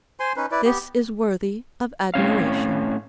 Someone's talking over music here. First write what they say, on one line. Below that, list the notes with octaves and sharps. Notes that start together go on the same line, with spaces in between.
This is worthy of admiration.
C5 G#5 C6
C#4 D#4 B4
E4 B4 D5
B3 G4
A2 C4 C#4 F5